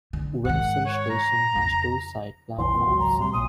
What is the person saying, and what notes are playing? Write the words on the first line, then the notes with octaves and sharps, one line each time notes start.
Windsor Station has two side platforms.
D3
G#2 D#3 F#5
C#5
A#5
F2 C#3
F1 B1 E3 C6
F2 A#2
G#1 C#2 F#3
A#5
A2 C3 G3 C6
B1 A#2 D#6